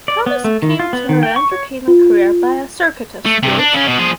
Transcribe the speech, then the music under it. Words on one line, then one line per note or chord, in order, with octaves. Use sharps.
Thomas came to her entertainment career by a circuitous route.
D5
B3
A3
D#3
F4
B3
D#3
G5
C#6
C#5
F4
A3
G2 C3
D4
C#3 C#4
B2
F3 G#4